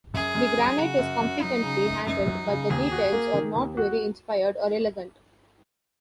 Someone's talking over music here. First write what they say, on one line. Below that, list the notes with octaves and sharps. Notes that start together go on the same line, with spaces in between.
The granite is competently handled, but the details are not very inspired or elegant.
F#2 G#4
F#2
F#3
C#3 F#4
F#2
F#2
F#3 D#4
C#3
F#2
F#2 D#4
F#3
C#3
D#2 G#4
F#4
A#3
D#3
D#2
F#4